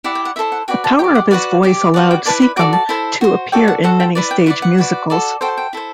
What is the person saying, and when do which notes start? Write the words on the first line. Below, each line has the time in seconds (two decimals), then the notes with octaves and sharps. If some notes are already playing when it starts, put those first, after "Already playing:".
The power of his voice allowed Secombe to appear in many stage musicals.
0.04 E4 G4 D5 F#5
0.15 G5
0.25 F#5
0.36 E4 A4 C5 E5
0.52 F#5
0.68 F#4 B4 D5 G5
0.84 A5
0.99 G4 D5 G5
1.15 F#5
1.31 F#4 B4 D5 F#5
1.63 G4 D5
1.94 F#4 B4 D5 F#5
2.11 G5
2.25 E4 B4 D5 A5
2.42 B5
2.57 F#4 A4 D5 D6
2.73 A5
2.89 E4 A4 C5
3.21 F#4 C5
3.52 F#4 A4 D5 G5
3.68 F#5
3.84 F#4 A4 C5 F#5
4.00 G5
4.15 E4 B4 D5
4.31 G5
4.46 E4 B4 D5 F#5
4.62 F#5
4.78 F#4 B4 D5
5.10 F#4 A4 D5
5.41 F#4 A4 C5 G5
5.58 G5
5.73 E4 A4 C5